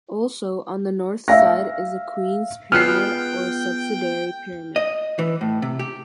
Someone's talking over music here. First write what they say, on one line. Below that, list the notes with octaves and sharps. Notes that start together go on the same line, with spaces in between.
Also on the north side is the Queen's Pyramid or subsidiary pyramid.
E5 F5 A#6
G#3 B3 F4 G5 A5 F6 F#6 C7
D#5
E3
A2
C3
G4